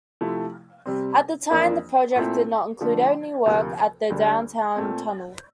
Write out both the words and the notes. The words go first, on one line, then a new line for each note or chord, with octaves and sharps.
At the time, the project did not include any work at the Downtown Tunnel.
C3 F3 A3 E4
C3 G3 C4
F2 E3 A#3 D4 F4
A#2 A3 C4 E4
D3 F3 A3
D2 C3 F3 A#3 F4
D2 D3 G3 D4
A#2 A3 C4